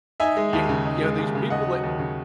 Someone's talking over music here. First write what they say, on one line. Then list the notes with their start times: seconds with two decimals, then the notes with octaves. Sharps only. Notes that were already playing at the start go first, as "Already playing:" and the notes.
Ye yeah, these people that
0.20 D#4 E5 G#5
0.37 G#3
0.53 D#2
0.69 C#3
0.86 D#4
1.01 G#3
1.18 D#2
1.35 C#3
1.50 D#2 D#5 F#5
1.67 F#3
1.83 D#2
1.99 C#3